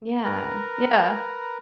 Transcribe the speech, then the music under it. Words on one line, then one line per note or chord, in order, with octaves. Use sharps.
Yeah. Yeah.
A#4 B4 A#5